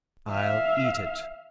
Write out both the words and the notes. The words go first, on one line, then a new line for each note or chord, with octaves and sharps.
"I'll eat it."
E5 F5